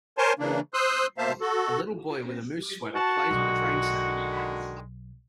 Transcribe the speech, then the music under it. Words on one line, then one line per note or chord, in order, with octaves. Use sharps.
A little boy with a moose sweater plays with a train set.
A#4 C5 C#5 G#5 A5 C6
C#3 E3 A#3 D4
C5 C6 D#6 E6 F#6
B2 A#3 C5 E5 F5 A5
F#4 A4
F#4 A5
B1 D3 D#3 G#3